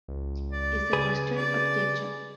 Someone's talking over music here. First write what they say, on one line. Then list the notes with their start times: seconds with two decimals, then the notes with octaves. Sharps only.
Is that mustard or ketchup?
0.08 C#2
0.52 D5
0.93 C#3 G#4 B4
1.36 D5